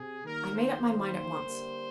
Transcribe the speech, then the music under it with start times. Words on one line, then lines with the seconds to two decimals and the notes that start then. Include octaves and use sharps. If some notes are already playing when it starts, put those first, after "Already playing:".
I made up my mind at once.
Already playing: C3 G#4
0.24 D#3 G3 A#3 A#4
0.54 C5
0.83 D#3 G3 A#3 C5
1.43 D3 G3 A#3